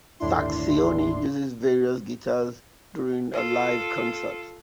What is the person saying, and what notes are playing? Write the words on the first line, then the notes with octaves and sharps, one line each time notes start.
Sacksioni uses various guitars during a live concert.
G1 D#2 A2 D4 E4 C6
F4 A4